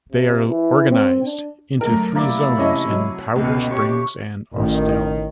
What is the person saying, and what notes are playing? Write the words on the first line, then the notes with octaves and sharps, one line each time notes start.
They are organized into three zones in Powder Springs and Austell.
C3
E3
C4
D4
F#2 D3 A3 A#4 A#5
C3 A#3 E4 D5 B5
E3 C#4 C#5 D#5 E5 A5
F#3
C#2 B2 D3 B3
G4 C#5 C#6
A1 D#3